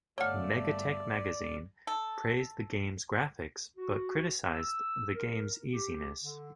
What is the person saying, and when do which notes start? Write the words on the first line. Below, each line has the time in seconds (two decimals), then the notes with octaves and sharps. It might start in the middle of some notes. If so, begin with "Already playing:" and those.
"MegaTech" magazine praised the game's graphics, but criticized the game's easiness.
0.18 G1 A3 A4 C#5 D5 F5 F#5
1.87 A4
3.77 F#4
4.54 E6
5.14 A#4
5.73 G4
6.22 D3